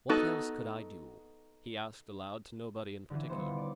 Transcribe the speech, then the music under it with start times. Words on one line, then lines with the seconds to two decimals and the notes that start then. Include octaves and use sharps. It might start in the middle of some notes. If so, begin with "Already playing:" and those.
"What else could I do?" he asked aloud to nobody in particular.
0.09 B3 D#4 F#4 A4
3.10 D3 E3
3.29 D#1 B3 C5 C#7
3.58 D5